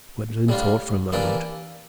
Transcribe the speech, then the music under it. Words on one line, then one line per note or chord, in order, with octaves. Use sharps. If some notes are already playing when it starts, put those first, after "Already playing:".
Gwendolen thought for a moment.
A2 G3 D4 F4
E3 A#3 D4 G4 D5